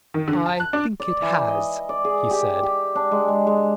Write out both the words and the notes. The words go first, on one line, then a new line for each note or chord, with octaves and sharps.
"I think it has," he said.
D#3
D3
A5
F#6
D4
D5
E3
D#5
D5
G#4
G4
G4
D4
G#3
G#3
G#3